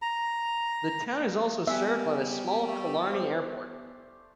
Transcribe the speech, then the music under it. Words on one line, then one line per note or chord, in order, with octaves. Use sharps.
The town is also served by the small Killarney Airport.
A#5
G3 B3 E5 F#5 G#5
A3
G4 C5 D5